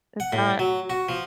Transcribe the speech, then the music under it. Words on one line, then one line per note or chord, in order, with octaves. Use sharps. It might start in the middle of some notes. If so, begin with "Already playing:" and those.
It's not
F#5
A2
F#3
F#4
F3